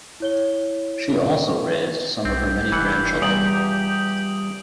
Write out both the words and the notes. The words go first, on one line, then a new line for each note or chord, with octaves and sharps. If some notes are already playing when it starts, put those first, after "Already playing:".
She also raised some of her many grandchildren.
E4 C#5 G7
B1 C4 G4
F1 E3 F#5
E2 A#2 G3 D#6 D7 F#7